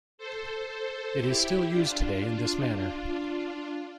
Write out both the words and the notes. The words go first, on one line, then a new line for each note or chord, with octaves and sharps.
It is still used today in this manner.
A4 C5
A4 C5
E4 G4
D4 F4
D4 F4